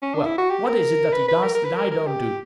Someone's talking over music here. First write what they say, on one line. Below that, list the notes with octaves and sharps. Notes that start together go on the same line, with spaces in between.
Well, what is it that he does that I don't do?
C#4
D4
E4
F#4
G4
A#4
B4
B4
A#4
A#4
B4
A#4
A#4
G4